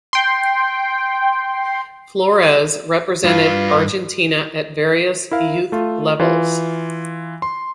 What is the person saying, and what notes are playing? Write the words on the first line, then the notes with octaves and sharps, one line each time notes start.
Flores represented Argentina at various youth levels.
G5 C6
G2 F4 B4
E4 A#4 F5
A3 F4
E3 F4
C6